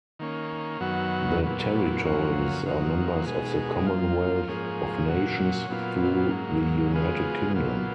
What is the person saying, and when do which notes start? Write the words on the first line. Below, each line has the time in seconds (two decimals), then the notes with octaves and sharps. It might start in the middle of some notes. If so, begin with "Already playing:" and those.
The territories are members of the Commonwealth of Nations through the United Kingdom.
0.19 D#3 A#3 C#4
0.80 F#2 D#3 F#3 B3 F#4
1.42 A#2 F#3 B3
2.04 F#2 F3 A#3 C#4 F#4
2.64 F#2 F3 A#3 D#4 F#4
3.26 B2 G#3 D#4 G#4
3.86 F3 A#3 F4
4.48 G#2 F3 A#3 C#4 G#4
5.09 A#2 F#3 C#4 F#4
5.70 A#2 F#3 B3 F4
6.31 G#2 F#3 A#3
6.92 C#3 G#3 B3 F4 G#4
7.54 A#2 F#3 B3 F4